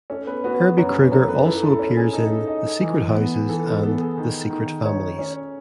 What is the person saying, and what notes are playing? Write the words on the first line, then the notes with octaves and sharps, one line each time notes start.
Herbie Kruger also appears in "The Secret Houses" and "The Secret Families".
C#4 A4
B3 B4
B3 F#4 B4
B3 B4
F#2 C#4 C#5
B3 B4
F#2 A4
B3 B4
E4 A4
A4
C#4
G#4
D#4 A4
D#5
E3
B3
E3 A4
A4
B3 A4
G#4
D#3
D#3
C#5
C#4